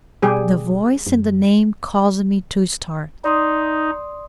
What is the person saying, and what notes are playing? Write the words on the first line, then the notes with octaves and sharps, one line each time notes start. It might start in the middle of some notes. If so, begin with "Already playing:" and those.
The voice and the name caused me to start.
B2 G3 G4 G#4
F#2
D#4 D5 C6 D#6